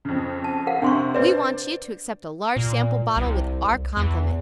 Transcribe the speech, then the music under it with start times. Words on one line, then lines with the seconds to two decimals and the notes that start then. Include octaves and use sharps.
We want you to accept a large sample bottle with our compliments.
0.05 F2 C#3
0.44 A5
0.67 A#4 F5 F#5
0.82 C3 D4 C6 C#6
1.15 B4 C5 D5 E5
2.56 A#2
3.16 C2
3.97 E2